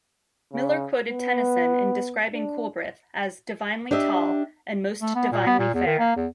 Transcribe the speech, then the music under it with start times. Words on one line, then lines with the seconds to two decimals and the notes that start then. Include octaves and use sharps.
Miller quoted Tennyson in describing Coolbrith as "divinely tall, and most divinely fair".
0.53 C#3
1.09 B3
2.33 D4
3.91 D4 G4 D#5 E5
5.01 A3
5.15 B3
5.32 A#2
5.46 B3
5.59 A#2
5.74 E2
5.86 D#3
5.99 A#3
6.16 E2